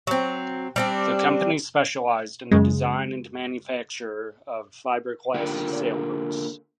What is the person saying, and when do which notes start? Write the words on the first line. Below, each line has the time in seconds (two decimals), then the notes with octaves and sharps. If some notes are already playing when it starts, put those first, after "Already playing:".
The company specialized in the design and manufacture of fibreglass sailboats.
0.07 F#3 C4
0.76 G3 C4 D4
2.51 F#2 C#3 G#3
5.34 D3 A#3 F4 G4